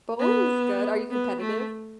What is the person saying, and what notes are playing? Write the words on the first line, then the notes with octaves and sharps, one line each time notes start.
bowling's good. Are you competitive?
B3
B3
A3